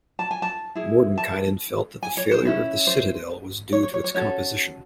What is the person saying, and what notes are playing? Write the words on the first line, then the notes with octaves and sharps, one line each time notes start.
Mordenkainen felt that the failure of the Citadel was due to its composition.
A5
G#5
A5
E4 G#4
A5
G#5
C#5
C5
C#4 E4 G#4
C5
C#5
C#5
C#5
C#5
C#4 F#4 A4 C#5